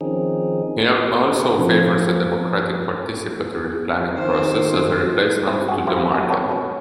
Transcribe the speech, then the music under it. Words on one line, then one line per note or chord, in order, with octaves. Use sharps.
He also favors a democratic participatory planning process as a replacement to the market.
D#3 F3 C4 C#4 D#4 G#4
F3 C4 D#4 F4
D#3 C5
C4 E4
F#4 G#4
A#3 E4 G4 C5
G1 F#2
B3 A4 C#5 G5
B2 C#4